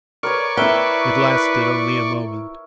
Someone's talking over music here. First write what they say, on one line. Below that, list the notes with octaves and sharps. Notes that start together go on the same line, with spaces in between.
It lasted only a moment.
A#4 B4 C#5 D5 C#6
E4 A#4 B4 E5 G5